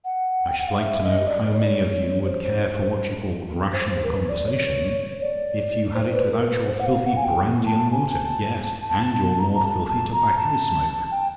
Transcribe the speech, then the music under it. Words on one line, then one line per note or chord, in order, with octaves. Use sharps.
I should like to know how many of you would care for what you call rational conversation, if you had it without your filthy brandy-and- water; yes, and your more filthy tobacco-smoke.
F#5
G5
F#5
F5
E5
D#5
D5
C#5
D5
C#5
C5
C5
A#4
B4
D5
C#5
D5
C5
B4
A#4
B4
C5
F#5
F5
F#5
G#5
G5
A5
G#5
A5
A5
A5
A#5
A#5
A5
A5
A#5
A5
G5